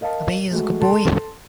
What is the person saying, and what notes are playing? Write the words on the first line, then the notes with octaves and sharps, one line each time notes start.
Abhay is a good boy.
A#4 D#5 F5 A5
G#3 A3 F#4
A4 A5 C6